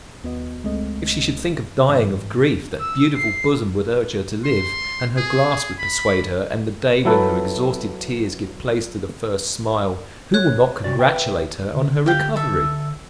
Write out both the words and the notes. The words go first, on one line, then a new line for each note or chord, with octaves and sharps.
If she should think of dying of grief that beautiful bosom would urge her to live, and her glass would persuade her; and the day when her exhausted tears give place to the first smile, who will not congratulate her on her recovery?
D#2 B3 F#4 D#5
C#2 G#3 A3 C4 D#5
G#2 E3
E6
C7
C6
G#4
B5
F#3 E4 A4 B4 E5
C#5 F#6
C3 F#4 D5
B4 E5 G5
D3
G4 F5 G5
A4 E5